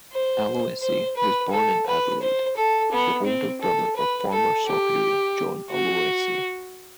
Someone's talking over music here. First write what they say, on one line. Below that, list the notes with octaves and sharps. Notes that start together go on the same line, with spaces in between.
Aloisi was born in Adelaide, the older brother of former Socceroo John Aloisi.
C5
C5
B4
A4
B4
C5
A4
B3
C4
A4
B4
A4
G4
F#4